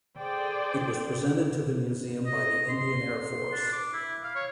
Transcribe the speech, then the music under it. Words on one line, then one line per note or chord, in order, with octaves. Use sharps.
It was presented to the museum by the Indian Air Force.
G#4 A4 C5 D5 G5
D#5
C6
D4
D6
E4
F5
C#5